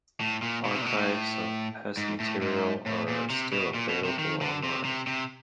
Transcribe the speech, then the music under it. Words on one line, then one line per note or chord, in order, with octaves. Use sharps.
Archives of past material are still available online.
A2
A#2
B2
C3
A#2
B2
A2
G#2
A2
G#2
A2
A#2
C3
B2
A#2
B2
C3
D#3
D3
C3
C3
C3